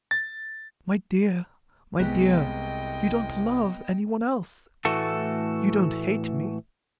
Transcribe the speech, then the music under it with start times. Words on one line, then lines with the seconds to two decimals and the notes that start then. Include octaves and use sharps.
My dear, my dear, you don't love anyone else; you don't hate me.
0.11 A6
1.99 C2 G#3 B3 D#5 G5
4.85 A2 E3 A3 F#4 A4